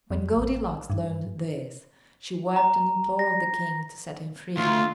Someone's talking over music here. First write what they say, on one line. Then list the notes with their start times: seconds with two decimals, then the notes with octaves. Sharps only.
When Goldilocks learned this, she wept and implored the King to set him free.
0.11 F2
0.37 A1
0.90 G2
2.56 A#5
3.19 A#6
4.57 D2 F4